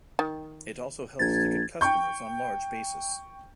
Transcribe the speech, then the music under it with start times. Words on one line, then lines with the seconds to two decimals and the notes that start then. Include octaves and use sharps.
It also helps to get customers on large basis.
0.19 D#3
1.19 A#1 G#6 A6
1.81 G5 C#6 G6